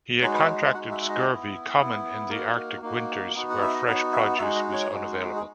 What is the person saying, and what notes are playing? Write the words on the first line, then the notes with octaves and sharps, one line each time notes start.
He had contracted scurvy, common in the Arctic winters where fresh produce was unavailable.
G#3 D#4 F#4 C#5
B4
C#5
D#5
G#3 D#4 F#4 F#5
E5
E5
D#5
B3 E4
B3 E4
A#3 D#4 F#4 A#4
A#3 D#4 F#4
B3 D#4 F#4
F#5
E5
D#5
B3 D#4 F#4 C#5
E5
G#3 D#4 F#4 E5
D#5
C#5
G#3 D#4 F#4
G#4